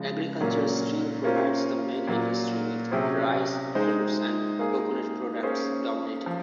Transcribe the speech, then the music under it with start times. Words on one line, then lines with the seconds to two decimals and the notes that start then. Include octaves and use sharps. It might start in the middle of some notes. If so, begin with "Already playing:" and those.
Agriculture still provides the main industry with rice, fruits, and coconut products dominating.
Already playing: C#3 F3 G#3
0.40 A#2 F#3 A#3 C#4
1.24 A#3 C#4 F4 C5
2.07 A#2 F#3 A#3
2.92 C3 F#3 C#4 G#4 C5
3.75 G#3 D#4 G#4 C5
4.59 A#3 D#4 G#4
5.43 A#3 C#4 G#4 C5
6.26 F3